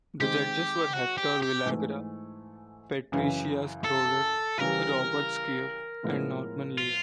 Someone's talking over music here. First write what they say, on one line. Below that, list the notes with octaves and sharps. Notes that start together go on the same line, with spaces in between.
The judges were Hector Villagra; Patricia Schroeder; Robert Scheer; and Norman Lear.
D#3 G#3 C4 G4
F#4
G4
G4
G#2 E3 A3
F#2 C#3 E3
A4
C#3 E3 G3 A#4
A2 F3 G#3 B3 E4
F4